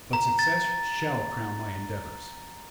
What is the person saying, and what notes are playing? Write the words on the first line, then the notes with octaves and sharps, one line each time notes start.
But success SHALL crown my endeavours.
A#5
A6